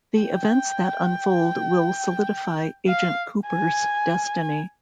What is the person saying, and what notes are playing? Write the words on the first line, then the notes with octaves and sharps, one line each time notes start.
The events that unfold will solidify Agent Cooper's destiny.
G5
F5
G#5